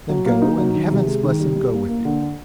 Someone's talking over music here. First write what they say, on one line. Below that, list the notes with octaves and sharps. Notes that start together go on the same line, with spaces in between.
Then go, and Heaven's blessing go with you.'
F#3
A#3
D#4
F#3
D#3
C3
G#3
D#3
G3
G3
A#3
A#3
D3